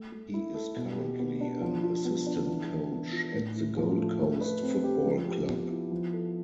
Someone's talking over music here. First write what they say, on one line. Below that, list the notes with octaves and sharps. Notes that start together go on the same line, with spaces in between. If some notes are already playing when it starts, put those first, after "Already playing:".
He is currently an assistant coach at the Gold Coast Football Club.
Already playing: A3
A3
E4
A4
B2
G4
B3
D4
F3
F4
B3
D4
E3
E3
B3
F4
A2
E4
F3
A3
A3
B4
C4
G4
F3
G4
B3
E4
F3
A4